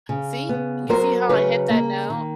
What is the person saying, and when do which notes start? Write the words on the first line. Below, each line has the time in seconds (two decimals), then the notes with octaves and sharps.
See, you see how I hit that note?
0.09 C#3
0.49 B3
0.89 F#3 A#4 C5
1.29 C#3 B4 C#5
1.70 A#3
2.10 D#3